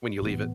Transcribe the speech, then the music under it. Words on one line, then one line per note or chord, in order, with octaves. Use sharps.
when you leave it
A2 E3 B3